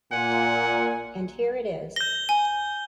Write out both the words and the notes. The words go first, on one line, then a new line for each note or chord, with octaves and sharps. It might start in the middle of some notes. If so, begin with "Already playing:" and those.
And here it is.
A#2 F#5 G#5
G6 A#6 G7
G#5